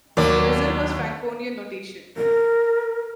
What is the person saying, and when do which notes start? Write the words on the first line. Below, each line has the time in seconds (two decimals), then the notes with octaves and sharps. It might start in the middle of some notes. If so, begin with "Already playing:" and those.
The result was Franconian notation.
0.17 D#2 F#3 A#3 D5
2.17 A#4